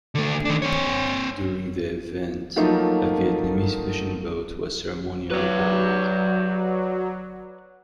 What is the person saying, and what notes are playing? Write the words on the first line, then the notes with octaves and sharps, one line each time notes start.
During the event, a Vietnamese fishing boat was ceremonially burned.
D3 A3
D#3 D4
C4 C#5
F3 F#3 A3 A#3 D#4 F4
F#3 B4 D5